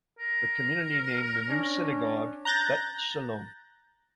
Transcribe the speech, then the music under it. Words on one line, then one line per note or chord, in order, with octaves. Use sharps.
The community named the new synagogue "Bet Shalom".
A#4
C#4 D4
A#5 F#6 G6 A6 A#6